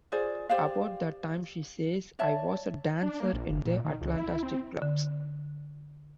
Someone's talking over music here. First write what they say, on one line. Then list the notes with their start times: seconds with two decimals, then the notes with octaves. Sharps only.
About that time, she says, I was a dancer in the Atlanta strip clubs.
0.12 F4 G#4 C5 D5
0.49 G4 C5 D5 F5
2.19 C#5 D5 E5 A5
3.02 D4
3.20 A#3
3.33 A#1
3.49 F#1
3.65 A#2
3.84 D#3
4.01 C#2
4.17 E4
4.43 C4
4.82 D3